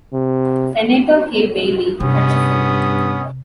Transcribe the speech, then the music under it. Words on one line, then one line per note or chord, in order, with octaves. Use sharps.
Senator Kay Bailey Hutchison.
C3
G2 C3 B3 C#4 D#6